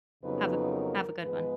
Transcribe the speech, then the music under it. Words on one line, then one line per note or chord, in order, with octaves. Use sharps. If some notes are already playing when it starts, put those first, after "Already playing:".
Have a have a good one.
F2 C#3 F#3 B3 D#4 B4
A#4
G#2 F3 G#3 B3 B4